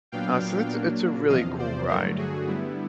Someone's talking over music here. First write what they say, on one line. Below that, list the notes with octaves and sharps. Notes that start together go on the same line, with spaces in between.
Uh, so, it's a it's a really cool ride.
A#2 F#3 B3 D4 F5 G5
A#2 F#3 A#3 D4
E2 C3 F3 D#5 F5
C5 D5
G2 D3 F#3 A3 A#4 C5
F#4 G#4
D3 G3 B3 E4